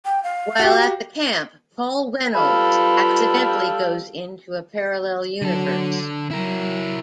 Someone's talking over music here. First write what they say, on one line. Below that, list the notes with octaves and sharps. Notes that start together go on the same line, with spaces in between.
While at the camp, Paul Reynolds accidentally goes into a parallel universe.
G5
F5
F#4 G4
G3 F4 A4 B4 F5 B5
D3 F#3 A4
F#3 E4 A#4